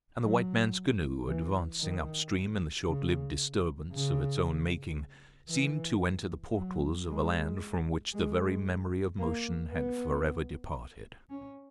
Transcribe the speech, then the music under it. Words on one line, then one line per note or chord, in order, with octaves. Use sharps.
And the white man's canoe, advancing upstream in the short-lived disturbance of its own making, seemed to enter the portals of a land from which the very memory of motion had forever departed.
F#3
E3
D#3
C#3
C#3
E3
F#3
G#3
G#3
A#3
B3
C#4